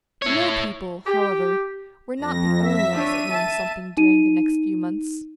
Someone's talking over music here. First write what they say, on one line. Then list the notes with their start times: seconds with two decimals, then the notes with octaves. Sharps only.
The mill people, however, were not the only ones that learned something during the next few months.
0.22 E4 C#5
1.06 G4
2.16 F2 A#6
2.59 E5 B6
2.92 D4 C#5 D#7
3.28 E5 A5
3.97 D#4 D#7